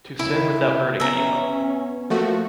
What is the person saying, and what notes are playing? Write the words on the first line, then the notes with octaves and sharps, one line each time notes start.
To sin without hurting anyone.
C#3 E4
B3 C#4 E5 A#5
F3 A3 A#3 F#4